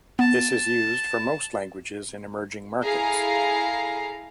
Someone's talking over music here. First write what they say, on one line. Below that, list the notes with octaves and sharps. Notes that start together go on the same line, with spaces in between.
This is used for most languages in emerging markets.
B3 A5
E4 G#4 A4 F5 A#5 C7